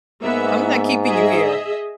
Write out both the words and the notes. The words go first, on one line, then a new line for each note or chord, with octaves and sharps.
I'm not keeping you here.
G#2 A#3 B3 E5
G#4 D#5 E5